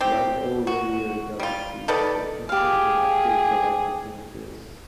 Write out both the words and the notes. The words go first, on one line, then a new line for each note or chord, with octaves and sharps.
Like all radio galaxies, it contains an active galactic nucleus.
C4 G4
F#4
G3 F4
D#3 A4 B4 D5
G4 G#4 F5